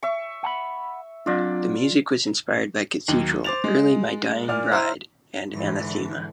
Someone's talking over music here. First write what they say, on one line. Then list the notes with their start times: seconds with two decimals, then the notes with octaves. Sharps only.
The music was inspired by Cathedral, early My Dying Bride and Anathema.
0.03 E5 C#6
0.43 F#5 A5 B5
1.26 F#3 C4 D4 F4 D5
3.08 D#2 F#3
3.44 C5 D6 A6 F7
3.64 G#3
4.48 A#2 D5 F6
4.71 E4 C5 A#5
5.50 G#2 D3 E3